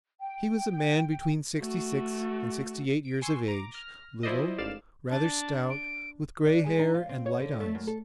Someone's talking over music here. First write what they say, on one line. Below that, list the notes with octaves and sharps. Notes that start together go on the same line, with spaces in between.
He was a man between sixty-six and sixty-eight years of age, little, rather stout, with gray hair and light eyes.
G5
A3 F#4
D7
G#5 C6 C#6 E6
A#5 D6
F6 A#6
F3 E4 C5 D5 D#5
A1 G#2 D5 F5 E7
D4 A5
D7
D4
G#3
D#4
F4
C4
C#5
D3
A3
F#2
A4